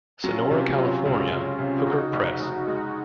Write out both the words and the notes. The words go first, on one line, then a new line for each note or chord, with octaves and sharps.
Sonora, California: Hooker Press.
F#3 C#4 F4
C3
F#3
C#2
C#2
C3
C#3 D#4 F#4
F1
F1
G#3 D#4 F#4